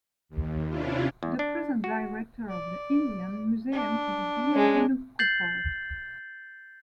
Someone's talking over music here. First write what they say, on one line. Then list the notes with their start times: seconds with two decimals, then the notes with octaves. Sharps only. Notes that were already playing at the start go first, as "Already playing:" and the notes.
The present Director of the Indian Museum is B. Venugopal.
0.29 D#2
0.68 C3 C#4 D4 E4 F4
1.23 E2
1.39 D4
1.84 F#4
2.49 D5
3.72 D4
4.52 G#3 C#4
5.19 G6 A6 C7 F#7